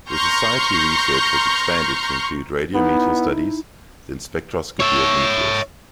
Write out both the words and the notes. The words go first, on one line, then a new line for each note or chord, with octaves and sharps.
The society research was expanded to include radio meteor studies, then spectroscopy of meteors.
A#5 C6 C#6 F6 G6 A#6
B3 D#4 E4
C#5 E5